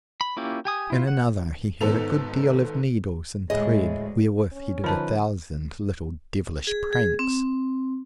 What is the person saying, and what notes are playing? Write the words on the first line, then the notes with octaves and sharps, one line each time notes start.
In another, he had a good deal of needles and thread, wherewith he did a thousand little devilish pranks.
B5
A#3 C#4 E4 F4 G4
G4 G#5 D#6
E4 F4
F#5
G#1 G#2 B3 A4 F7
D2 A2 G#3 G#4 D#5
C#4
D3 F3 D#4 B4 A5
G#4
G#4
C4